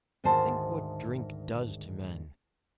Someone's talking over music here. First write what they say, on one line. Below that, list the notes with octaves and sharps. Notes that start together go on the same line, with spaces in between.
Think what drink does to men?
D2 G#2 D#3 F#4 C5 A5